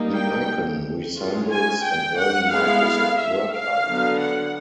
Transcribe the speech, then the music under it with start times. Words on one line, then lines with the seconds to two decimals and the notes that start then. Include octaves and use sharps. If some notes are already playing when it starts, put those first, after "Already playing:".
The icon resembles an early Microsoft Word icon.
Already playing: G3 A#3 D#4
0.15 G5
1.16 G#3 C#4 F4
1.50 G#5
1.83 G5
2.16 F#5
2.51 G#3 B3 E4 F5
3.19 E5
3.52 F5
3.85 D3 F#3 B3
4.20 F#5